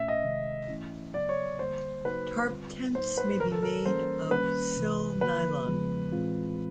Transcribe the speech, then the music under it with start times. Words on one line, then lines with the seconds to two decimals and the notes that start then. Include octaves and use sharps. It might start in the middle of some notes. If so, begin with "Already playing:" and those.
Tarp tents may be made of silnylon.
Already playing: A#2 A3 C#4 E5
0.08 D#5
0.24 C3 D#3 G#3
0.68 G#2 E3 A3 C#4 E4
1.14 D#2 C#3 F#3 B3 D5
1.29 C#5
1.59 D#2 D3 G3 A#3 C5
2.04 C#3 F#3 A#3 D#4 F#4 B4
2.49 D#2 D3 G3 C4 F4
2.95 A2 F#3 A#3 D#4 C5
3.17 B4
3.40 F2 C3 D#3 A#4
3.52 A4
3.62 A#4
3.85 E3 G3 A#3 C#4 C5
4.30 D#3 G3 A#3 C#4 B4
4.76 C2 C3 E3
5.21 D3 F3 A#3 B4
5.66 E2 C#3 F3 G#3 B3
6.12 A2 E3 G#3 C4 F4